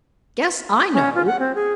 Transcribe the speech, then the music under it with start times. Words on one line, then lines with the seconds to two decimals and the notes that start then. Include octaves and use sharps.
"Guess I know!"
0.94 C#4
1.15 F4
1.26 F#5
1.39 C4
1.55 G#4